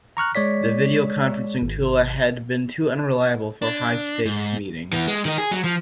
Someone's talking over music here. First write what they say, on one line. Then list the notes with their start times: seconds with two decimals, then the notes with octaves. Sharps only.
The video conferencing tool had been too unreliable for high-stakes meetings.
0.17 A#5 C#6 F6 F#6
0.35 G#3 C#5 D5 B6
1.62 G#1
3.62 D4
4.25 G#2
4.93 E3 B3
5.07 G#3
5.25 D#3 D#4
5.38 G#4
5.51 F#3
5.64 F3